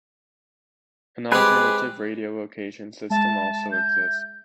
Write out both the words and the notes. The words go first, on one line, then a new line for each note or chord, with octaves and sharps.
An alternative radio location system also exists.
G#3 C4 G4 G#4 B4
G#3 E5 A5
G6